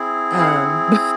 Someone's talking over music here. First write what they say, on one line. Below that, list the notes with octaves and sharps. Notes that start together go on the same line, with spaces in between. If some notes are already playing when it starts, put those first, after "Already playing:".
Um, bu
Already playing: C4 E4 G#4
F5
F#5